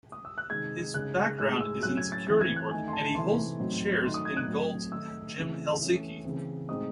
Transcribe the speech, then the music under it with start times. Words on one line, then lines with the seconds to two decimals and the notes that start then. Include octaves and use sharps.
His background is in security work, and he holds shares in Gold's Gym-Helsinki.
0.12 D#6
0.25 E6
0.38 F#6
0.50 C3 D#3 G#3 D#4 G#6
0.94 C#3 G#3 D#4 F#6
1.24 F#6
1.38 A2 G#3 D#4 F#6
1.61 E6
1.83 A2 F#3 C#4 F#6
1.97 G#6
2.12 A6
2.27 E3 A3 C4 A6
2.41 G#6
2.56 F#6
2.71 D#3 A3 D#4 G#5
2.88 C6
2.93 A5
3.15 C3 E3 A3 D#4 C6
3.59 A2 F#3 C4 D#4
4.04 D#3 F#3 A3 D#4 C6
4.14 D#6
4.25 G#6
4.37 F#6
4.48 A2 F#3 A3 C4
4.92 D#3 A3 D#4 E6
5.36 C#3 E3 A3 C4
5.80 E3 A3 C#4
6.24 C#3 E3 C4
6.69 A2 G#3 C4 D#4 D#6